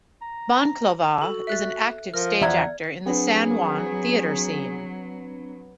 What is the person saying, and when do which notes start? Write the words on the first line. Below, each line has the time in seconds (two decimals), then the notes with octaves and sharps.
Monclova is an active stage actor in the San Juan theater scene.
0.21 A#5
1.21 F#4 A4
1.47 E5 F#6 A6
2.14 F3 A#4 F6
2.41 E2 D5 E5 F#5 A#5 G#6
3.06 F#3 B3 C4 D4 G#4